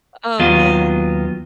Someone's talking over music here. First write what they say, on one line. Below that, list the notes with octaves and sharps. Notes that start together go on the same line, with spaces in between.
Oh yeah.
D#2 F#3 B3 F4